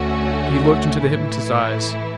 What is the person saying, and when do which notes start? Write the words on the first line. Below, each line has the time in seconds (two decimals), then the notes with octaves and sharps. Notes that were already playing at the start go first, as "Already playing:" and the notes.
He looked into the hypnotist's eyes.
Already playing: D2 D3 A3 C#4 F#4
1.02 A2 E3 A3 E4